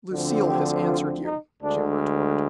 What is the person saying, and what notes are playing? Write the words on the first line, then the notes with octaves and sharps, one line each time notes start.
"Lucille has answered you," Jim retorted.
D2 D3 F3 C4
G4
F4
D#4
D2 D3 G#3 D4